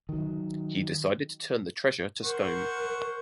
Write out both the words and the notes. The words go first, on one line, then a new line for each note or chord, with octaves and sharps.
He decided to turn the treasure to stone.
D#3 F#3
A#4 C5 F#5 C#6